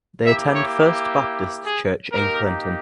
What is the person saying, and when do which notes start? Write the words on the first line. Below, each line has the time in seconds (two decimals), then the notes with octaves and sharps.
They attend First Baptist Church in Clinton.
0.24 A#3 E4 G4 E5
0.56 C#5
1.65 G#4
2.12 A#3 D#4 G4 A#4